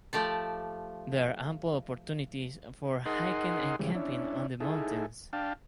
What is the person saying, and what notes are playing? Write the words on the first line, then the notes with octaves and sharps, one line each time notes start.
There are ample opportunities for hiking and camping on the mountains.
F3 A3 G4 D5
D#4 G#4 A#4 D#5 F#5 C6
C#3 E3 G3 G#3
C#4 D4 E4
D#4 E4 G#4 A4
D4 F5 G5 A5